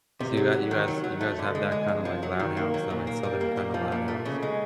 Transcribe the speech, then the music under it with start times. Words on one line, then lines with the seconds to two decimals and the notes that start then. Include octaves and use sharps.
So, you guy you guys you guys have that kinda, like, loud house, that, like, southern kinda loud house?
0.20 C3
0.37 F#3
0.53 F#3
0.71 D#3
0.88 F#3
1.04 F#3
1.21 A3
1.39 D3
1.55 G#3
1.72 G#3
1.88 F2
2.05 F3
2.23 F#3
2.40 D#3
2.57 A#3
2.74 F#3
2.90 A#2
3.07 A#3
3.23 G3
3.41 A#3
3.57 A#2
3.74 F3
3.92 A#2
4.08 A3
4.25 C#3
4.43 G#3